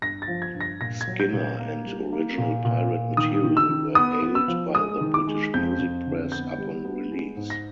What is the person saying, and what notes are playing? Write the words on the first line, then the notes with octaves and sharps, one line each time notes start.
Skinner and "Original Pirate Material" were hailed by the British music press upon release.
G2 A#6
A6
F3
G#6
G2
A#6
A#2 A#6
G#6
F#3
G6
A#2
A#3
G3
A#3
A#2
A#2
A#2
D#3 D#6
D#3
E6
D#3
B3 D#6
B3
E6
F3
G#3 D#6
D#3
D6
G#3
F2 G6
F2
D3
B3 G6
G3
B3
G#3
G#2
A#6